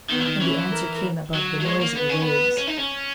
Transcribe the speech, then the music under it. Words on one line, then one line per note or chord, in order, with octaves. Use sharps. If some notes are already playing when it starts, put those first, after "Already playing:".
And the answer came above the noise of the waves.
D#3 B3
E3
D#3
E3 C#4
A#4
F#3
F#3
G#3 C#5
A#3
B3 B4
C#4
B3
B4
C#4
D#4
C#4